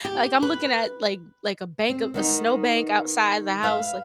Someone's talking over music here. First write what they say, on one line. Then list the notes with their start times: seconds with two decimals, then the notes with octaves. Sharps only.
like, I'm looking at, like like a bank of a snow bank outside the house, like
0.05 G4
0.42 B4
1.90 C4
2.14 D#3 B3 D#4
3.63 B4 E5 F5